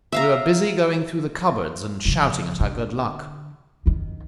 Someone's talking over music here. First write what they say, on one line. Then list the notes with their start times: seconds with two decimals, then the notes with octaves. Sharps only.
We were busy going through the cupboards and shouting at our good luck.
0.12 E5 F5 A#5
2.05 C#3 F3
2.60 D3
3.86 F#2 D#3